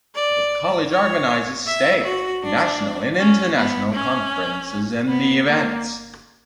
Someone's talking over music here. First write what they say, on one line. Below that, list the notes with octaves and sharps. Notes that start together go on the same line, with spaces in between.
The college organises state, national, and international conferences and events.
D5
C#5
E5
F#4
D4
C#4
B3
C#4
B3
A#3